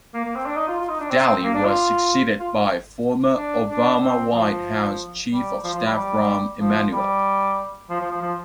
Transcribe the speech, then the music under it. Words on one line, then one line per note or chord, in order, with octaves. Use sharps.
Daley was succeeded by former Obama White House Chief of Staff Rahm Emanuel.
A#3
A#3
C4
D4
D#4
F4
F4
D#4
D4
C4
A#3
D4
F4
F4
D4
D4
C4
F3
G3
F3
F3
G3
G3
F3
G3
F3
F3
F3
F3